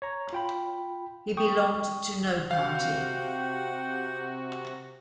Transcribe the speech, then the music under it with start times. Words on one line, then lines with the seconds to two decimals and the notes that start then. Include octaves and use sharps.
He belonged to no party.
0.02 C#5 A#5
0.33 F4 G5 B5
1.37 G5 C#6 D#6
2.51 C3 F#4 G4 F5 F#5